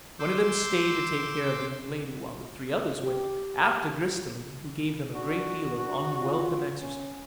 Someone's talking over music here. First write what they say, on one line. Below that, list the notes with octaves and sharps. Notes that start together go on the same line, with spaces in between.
One of them stayed to take care of the young lady, while the three others went after Gris-de-line, who gave them a great deal of unwelcome exercise.
C6 D6 E6 G6
G4
D4 F#4
D4
F4
C#4